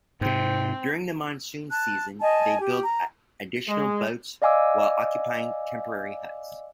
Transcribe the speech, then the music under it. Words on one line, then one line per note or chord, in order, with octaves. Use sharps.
During the monsoon season, they build additional boats while occupying temporary huts.
G#2 C3 C4
A5 F#6
D#5 G#5 A5
G4
A#5
G#3
D5 D#5 F5 G#5 D6 E6